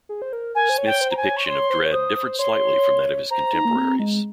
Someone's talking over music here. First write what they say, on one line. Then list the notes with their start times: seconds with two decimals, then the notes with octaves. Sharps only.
Smith's depiction of Dredd differed slightly from that of his contemporaries.
0.09 G#4
0.22 C5
0.33 A#4
0.55 A#4 G#5
0.69 C5
0.78 C#5
0.86 G5
0.92 C#5
1.01 C5
1.11 A#5
1.17 C5 G#5
1.24 C#5
1.37 C#6
1.46 C#5 C6
1.70 C5
1.85 C#5
1.93 C5 D#6
2.16 C5
2.39 C#5 C6
3.31 C5 A#5
3.53 D#4
3.65 A#3
3.76 C4
3.99 G#3